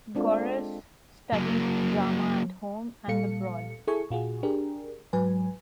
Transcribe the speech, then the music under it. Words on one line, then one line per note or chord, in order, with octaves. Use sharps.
Gorris studied drama at home and abroad.
G#3 C4 D4 F4 A4
F#3 A#3
A#2 G3 A4 F5 C#7
E4 G#4 A4 G#5 C#6
A#2 F4 F#4 G#4
D4 G4 G#4 A#4
G#2 F#3 B4 G#5